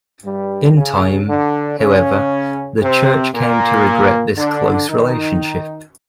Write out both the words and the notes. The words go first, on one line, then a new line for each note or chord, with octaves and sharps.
In time, however, the Church came to regret this close relationship.
G2 G3
C#3 C#4
D3 D4
C#3 C#4
C3 C4
A#2 A#3
D3 D4
D#3 D#4